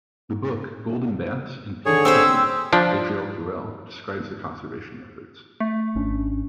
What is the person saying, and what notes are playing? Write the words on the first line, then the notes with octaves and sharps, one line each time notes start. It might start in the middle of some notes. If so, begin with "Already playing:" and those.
The book "Golden Bats and Pink Pigeons" by Gerald Durrell describes the conservation efforts.
D3 G#4 C#5
C4 G4 C5 E6
F3 D4
A3
G#1 C#4 D4